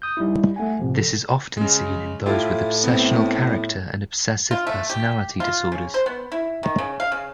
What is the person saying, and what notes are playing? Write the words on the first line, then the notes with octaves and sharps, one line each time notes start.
This is often seen in those with obsessional character and obsessive personality disorders.
D#6 G6
G3 D#4 E4
A3 F#5 G#5
A2 C3 F3
A4
C#3 G#3
A2 E4 F4 G4
B3 C4
F4
A3
G4
F4
C#3
C5
B3
E4
D#3
C#3
F5
C#3